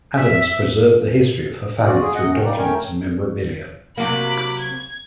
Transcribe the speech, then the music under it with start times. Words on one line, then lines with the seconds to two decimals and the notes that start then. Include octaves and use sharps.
Adams preserved the history of her family through documents and memorabilia.
0.18 E5
1.84 F4 F#4 D5
2.00 F4 G#4
2.15 F#2 D#5 F#5
2.31 C3 D#3 C#4
2.44 G3 A#3 D#4 D5
2.58 A3 C#4 A#4 C#5 G5
3.97 C3 F#3 A#3 B5 D6
4.59 G#6